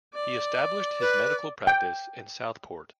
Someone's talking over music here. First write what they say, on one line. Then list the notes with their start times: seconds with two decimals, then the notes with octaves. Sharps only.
He established his medical practice in Southport.
0.14 D5
1.00 B4
1.67 G5